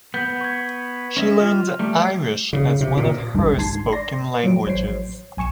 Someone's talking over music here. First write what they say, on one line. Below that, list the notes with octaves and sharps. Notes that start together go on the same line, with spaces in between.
She learned Irish as one of her spoken languages.
B3 G6
C#6 G#6
C#4 D#5 E5
F4 F6
G3 A3
C#3
C3
A#2
G#1 C#2 F#2 D#3 G3 D4
G#1 G#2 A5 C6 G#6 C7
D5 C6 A#6 C7
F3 F#3 D7
A1 C5 C#5 C7
B1 G#5 C#6 C#7 E7